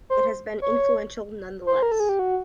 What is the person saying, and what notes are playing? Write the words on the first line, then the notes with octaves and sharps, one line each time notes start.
It has been influential nonetheless.
C5
C#5
C5
A#4
A4
G#4
G4
F#4